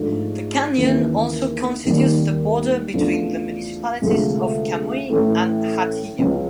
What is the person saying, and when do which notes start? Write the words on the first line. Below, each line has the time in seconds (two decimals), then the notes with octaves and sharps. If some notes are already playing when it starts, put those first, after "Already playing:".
The canyon also constitutes the border between the municipalities of Camuy and Hatillo.
Already playing: G#2 F3 A3 D4
0.78 D#2 C#3 E3
1.85 D#2 D#3 G3
2.93 E2 C#3 F3 A3 D4
4.02 D2 C3 F3 G#3
5.09 A2 E3 A3 C#4 E4
6.18 C#2 C#3 F3 G#3 C#4